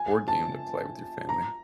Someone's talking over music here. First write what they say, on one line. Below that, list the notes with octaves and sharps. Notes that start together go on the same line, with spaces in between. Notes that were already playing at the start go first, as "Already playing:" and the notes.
board game to play with your family?
Already playing: G#5
A5
A#5